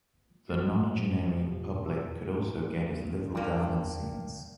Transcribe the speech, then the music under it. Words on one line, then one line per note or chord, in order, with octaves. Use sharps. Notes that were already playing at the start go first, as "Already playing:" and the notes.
The nonagenarian public could also get its little garden scenes.
F3 F#3 A3 F#4
F2 B2 G4
E6
G2 A#3 D4